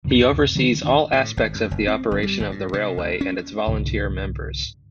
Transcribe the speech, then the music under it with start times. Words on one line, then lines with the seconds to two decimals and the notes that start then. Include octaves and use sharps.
He oversees all aspects of the operation of the railway and its volunteer members.
0.04 D1 C#2 F#2 C3
0.55 D3 D#3 F#3 C4
0.84 D#1 A1 D#3 D4
1.13 A2
1.37 G#1
1.55 F#2
1.71 F#1
1.88 C4
2.11 G1
2.23 G3
2.40 G#1
2.51 G2
2.73 C3
2.98 D2
3.21 C#4
3.67 C2 G#2 D3